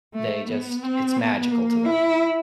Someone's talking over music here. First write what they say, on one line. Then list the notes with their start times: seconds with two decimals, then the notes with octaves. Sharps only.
they just it's magical to them,
0.15 A3
0.49 B3
0.83 C4
1.17 B3
1.51 A#3
1.85 E4